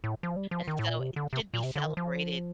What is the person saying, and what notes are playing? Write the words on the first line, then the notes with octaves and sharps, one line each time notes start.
And so it should be celebrated
A2
F3
G3
F3
D#3
A2
A#2
C3
D3
C3
A#2
C3
D3
D#3
F3